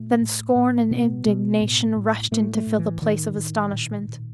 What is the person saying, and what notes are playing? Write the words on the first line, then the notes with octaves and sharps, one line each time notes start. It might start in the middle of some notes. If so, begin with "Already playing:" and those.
Then scorn and indignation rushed in to fill the place of astonishment.
Already playing: A#2 A3
A2
A2
B2 B3
B2
A2
A2
A2 A3
A3
A2
E3
A2 D#3
A2
A#2
A#2